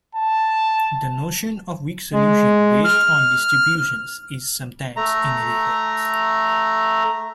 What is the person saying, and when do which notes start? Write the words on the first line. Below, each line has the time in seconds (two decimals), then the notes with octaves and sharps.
The notion of weak solution based on distributions is sometimes inadequate.
0.16 A5
2.13 G#3
2.85 F6
4.96 A3 A#5